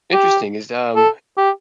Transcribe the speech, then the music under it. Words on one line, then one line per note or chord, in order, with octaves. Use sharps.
Interesting, is, um,
G4
A4
G4